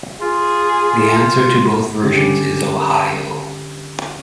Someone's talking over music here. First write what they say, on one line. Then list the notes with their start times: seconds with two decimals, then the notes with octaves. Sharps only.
The answer to both versions is 'Ohio'.
0.21 F4 G#4
2.04 D3 C#4 G4